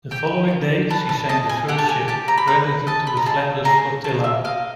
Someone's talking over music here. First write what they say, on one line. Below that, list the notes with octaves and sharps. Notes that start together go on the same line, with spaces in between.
The following day, she sank the first ship credited to the Flanders Flotilla.
G4 G5
G4
B4 A5
A5
D#5 A5
G#5
G4 F#5
A5
G#5
G4 A5
A#5
B5
B4 A#5
D#5 A5
B5
A#5
G#4 A5
G#4 A#5
C5 A5
E5
D#5 F5